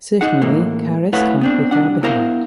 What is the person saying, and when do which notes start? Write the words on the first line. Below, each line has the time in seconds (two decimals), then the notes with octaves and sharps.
Certainly, Kharis can't be far behind.
0.21 D#4 G#4 F#5
0.42 A2 E3 G#3 A#3
1.13 A3 E4 B4 C#5 F5 F#5
1.41 B3 C4 D4
1.71 C2 G2 D4 F#5
2.03 B3 E4 A#4 C5 F5 A#5